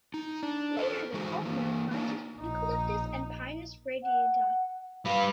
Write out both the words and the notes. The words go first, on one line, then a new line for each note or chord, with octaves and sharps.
Later the pulp mill planted Eucalyptus and Pinus radiata.
D#4
D4
A4 C5
E3 G#3 D#4 F#4 G#4 C5
E3 A#3
A#3 D4 D#4
A#1 D#4
F#5
G3 B4 F5